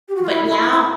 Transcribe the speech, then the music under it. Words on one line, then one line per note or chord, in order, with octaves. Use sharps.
but now
G4
F#4
F4
E4
E4
E4
E4